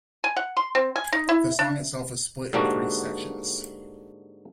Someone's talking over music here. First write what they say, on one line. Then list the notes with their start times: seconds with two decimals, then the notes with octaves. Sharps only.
The song itself is split in three sections.
0.24 G#5
0.36 F#5
0.57 C6
0.75 C4
0.96 G#5
1.12 D#4
1.29 E4
1.59 D4
2.53 G#2 D3 G3 A#3 D4 F#4